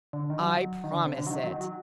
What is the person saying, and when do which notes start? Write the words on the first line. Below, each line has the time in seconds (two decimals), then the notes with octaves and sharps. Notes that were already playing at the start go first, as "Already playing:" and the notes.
"I promise it."
0.13 D3
0.30 D#3
0.40 F#3
0.84 D#3
0.92 D3
1.05 C3
1.17 D3
1.27 F#3
1.31 D#3
1.44 F#3
1.52 D#3
1.61 F#3